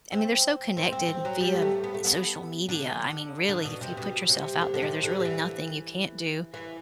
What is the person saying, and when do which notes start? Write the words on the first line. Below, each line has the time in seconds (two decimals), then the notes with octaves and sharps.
I mean they're so connected via social media. I mean really if you put yourself out there, there's really nothing you can't do.
0.12 C4
0.77 C4
0.92 C4
1.08 C4
1.25 F#3
1.41 G3
1.56 B3
1.62 A3
1.84 B3
1.94 A3
2.05 B3
2.69 D3
3.49 D3
3.65 B2
3.81 C3
3.97 B2
4.29 C3
4.61 D3
4.74 D3
4.82 C3
5.04 D3
5.20 D3
5.25 E3
6.54 E3